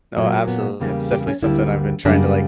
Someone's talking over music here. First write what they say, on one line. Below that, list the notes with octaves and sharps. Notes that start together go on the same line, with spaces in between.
No, absolutely, it's definitely something I've been trying to, like,
A#2 F#3 A#3
B3
E2 C#3 G3 A#3
G4
C#4
D2 D3 G3 A#3 E4
F#2 C#3 G3 A#3 D4